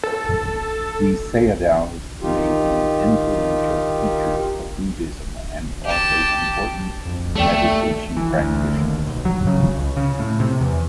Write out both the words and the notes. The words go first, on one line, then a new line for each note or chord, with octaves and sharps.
These sayadaws may be influential teachers of Buddhism and also important meditation practitioners.
A4
D#3 D#4 F4 G4
G4 A5
F2
D#2 A3 A4 D5 G5
E3
D2
D#2
B1
F#3
C#3
C#2
C#3
A2
C3
E2